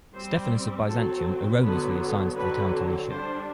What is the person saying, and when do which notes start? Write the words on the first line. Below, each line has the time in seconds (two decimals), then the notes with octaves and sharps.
Stephanus of Byzantium erroneously assigns the town to Lycia.
0.14 G3 C4 C5
0.89 F#3 C4 A4
1.62 D3 F#3 B3 B4
2.35 D3 F#3 C4 B4
3.10 G3 D4 C5